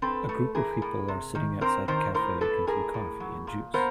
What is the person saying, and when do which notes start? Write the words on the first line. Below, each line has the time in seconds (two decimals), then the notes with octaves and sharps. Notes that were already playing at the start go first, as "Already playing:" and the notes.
A group of people are sitting outside a cafe drinking coffee and juice.
0.02 C4 A4 B4
0.29 A3
0.55 E3 G#4 A#4
0.82 A2
1.08 C3
1.35 D#3
1.61 C4 A#4 C5
1.88 D#3 A#4 C5
2.14 A2 A#4 C5
2.41 A2 A4 B4
2.67 A2 G#4 A#4
2.94 A2
3.20 F#3
3.47 A#2
3.74 B3 A#4 C5